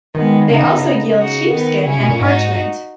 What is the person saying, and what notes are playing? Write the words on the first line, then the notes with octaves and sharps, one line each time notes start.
They also yield sheepskin and parchment.
D#3 G#3 B3
C#3 B3 D#4
D#3
C#3
D#4 F#4
D#3 B3 D#4
C#3 C#4 E4
B2
A#2
G#2 D#4 F#4